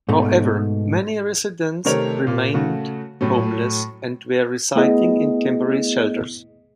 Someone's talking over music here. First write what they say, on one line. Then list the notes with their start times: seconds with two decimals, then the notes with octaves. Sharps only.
However, many residents remained homeless and were residing in temporary shelters.
0.09 G#2 B2 A3 D#4
1.85 C3 D#3 A3 A#4 C#5 F7
2.27 A#2
2.54 C#3 A3 F#4
3.21 A2 F#3 A3
4.76 A3 B3 E4 G#4 D#5